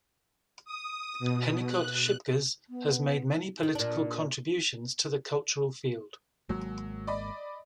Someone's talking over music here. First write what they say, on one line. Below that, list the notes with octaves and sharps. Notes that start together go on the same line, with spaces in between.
Hennicot-Schoepges has made many political contributions to the cultural field.
D#6
B2
F#6
B3
D#3
A#2 D4
G#1 F#3 G#3 A#3
D5 D#5 B5